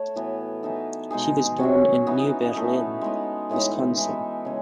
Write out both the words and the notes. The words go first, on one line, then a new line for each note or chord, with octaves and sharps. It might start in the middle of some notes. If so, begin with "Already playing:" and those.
She was born in New Berlin, Wisconsin.
Already playing: A3 A4 C#5
A2 E3 B3 F#4
E3 B3 D#4 A4
B2 G#3 D#4 G#4
F#3 C#4 F#4 C#5
E3 B3 D#4
E3 A3 D#4
G#3 B3 D#4
A2 E3 G#3 D#4
E3 G#3 D#4 A4
C#3 G#3